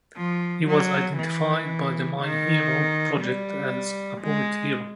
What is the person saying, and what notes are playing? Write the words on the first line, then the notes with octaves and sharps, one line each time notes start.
He was identified by The My Hero Project as a poet hero.
F3
F#3
E3
D#3
G3
G#3